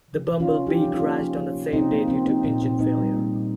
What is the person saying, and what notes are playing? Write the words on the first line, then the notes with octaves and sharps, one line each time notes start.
The Bumble Bee crashed on the same day due to engine failure.
F3
C3
C#4 F4
C3
F3 D#4 G4
F3
C#4 F4
A#3
F3
F3
C3
C3 C4 D#4
A#3
F3 C4
A#3 C4 D#4
A#2 C4
A#2 C4
A#2 C4 D#4
G3
A#3
A#2